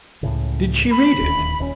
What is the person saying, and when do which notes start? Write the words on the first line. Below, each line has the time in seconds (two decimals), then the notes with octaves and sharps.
"Did she read it?"
0.23 C#2 A2 C#3
0.91 B5
1.21 D1 D#2
1.59 D#1 A2 C#4